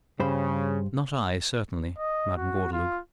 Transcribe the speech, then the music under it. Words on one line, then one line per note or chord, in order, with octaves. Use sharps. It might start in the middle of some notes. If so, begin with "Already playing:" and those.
"Not I, certainly, Madam Gordeloup."
G2 C#3 C5 B5
D#5
F#4
F4